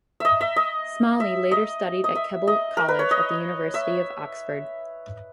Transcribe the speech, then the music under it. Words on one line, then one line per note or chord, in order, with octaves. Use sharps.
Smalley later studied at Keble College at the University of Oxford.
D#5 E5
E5
D#5
E5
D#5
D#5
E5
D#5
A#4
B4
C#5
D#5
E5